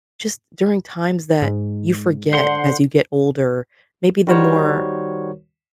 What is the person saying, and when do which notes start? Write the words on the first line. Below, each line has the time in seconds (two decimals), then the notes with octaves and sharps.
just during times that you forget as you get older, maybe the more,
1.42 G#2
2.33 D3 C5 F#5 C6
4.27 D#3 G3 F#4 A#4 C5 C#5